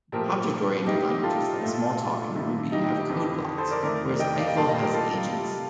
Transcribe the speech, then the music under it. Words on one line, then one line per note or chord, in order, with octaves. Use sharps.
Object-oriented languages like Smalltalk and Ruby have code blocks, whereas Eiffel has agents.
A#2 F3 A3 G4 A#4
C3 G3 D#4 G4
G4
F4 A4
A#2 A3
C3 D#3 G3
D#4 G4
D#4 G4
D#4 G4
F2 D3 F3
A4 C5
A#4 D5
F2 D#3 A3 A#4 D5
D#5 G5
D5 F5
D#5 G5
A#2 G3 F5 A5
D#5 G5
G4 A#4
F4 A4
C3 G3